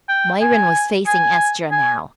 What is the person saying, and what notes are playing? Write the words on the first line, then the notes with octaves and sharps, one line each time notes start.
Myrin was facing Estra now.
G5
G#5
G#5
G#5